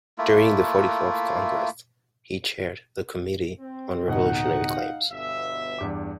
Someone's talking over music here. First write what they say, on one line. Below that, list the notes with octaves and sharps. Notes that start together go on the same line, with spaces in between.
During the Forty-fourth Congress, he chaired the Committee on Revolutionary Claims.
A3 A#3 E4 F4
C4
D1 B2 D#4 F#5
F5
G1 B2 E5
E2 G2 D6